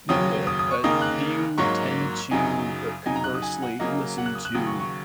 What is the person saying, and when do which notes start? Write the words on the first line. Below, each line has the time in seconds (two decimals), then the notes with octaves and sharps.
Yeah, yeah, uh, do you tend to, uh, conversely listen to
0.09 D#2 C#3 F#3 C#4 D#6
0.47 D#6
0.59 D#6
0.71 C#6
0.84 D#2 C#3 A#3 D#4 D#6
1.02 F#6
1.58 G#2 F#3 A#3 C#4 C#6
2.31 F#2 C#3 F#3 D#4 G#5
3.06 C#3 F#3 D#4 G#5
3.16 A#5
3.24 F#6
3.34 D#6
3.42 G#5
3.62 F#5
3.80 C#3 F#3 A#3 D#5
4.18 F#5
4.26 F#6
4.35 D#6
4.45 F#6
4.54 D#2 C#3 F#3 D#6
4.67 C#6
4.79 C#6